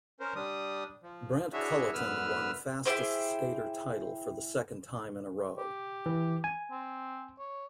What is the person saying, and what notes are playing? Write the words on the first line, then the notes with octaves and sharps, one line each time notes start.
Brent Cullaton won Fastest Skater title for the second time in a row.
C#4 A#4 C5
G3 D4 D#6
F3
D4 E4 F#4 G#4 C#5 E5
F#2 D3 B3 B4 E6 F6
E4 G4 G#4 C5
G4
E3
G#5
C4
C#5